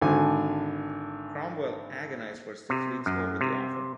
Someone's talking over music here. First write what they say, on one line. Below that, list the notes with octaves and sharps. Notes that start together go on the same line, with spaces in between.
Cromwell agonised for six weeks over the offer.
G#1 D3 G#5
C3
F#2
C3